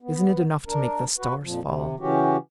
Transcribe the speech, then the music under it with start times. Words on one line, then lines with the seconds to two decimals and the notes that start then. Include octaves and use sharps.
Isn't it enough to make the stars fall!
0.02 B3
0.68 D4 A#4
1.18 F#4 B4
1.43 F2 A#2 F3
1.62 C3
2.00 C#3 E3 C#4 F#4 G4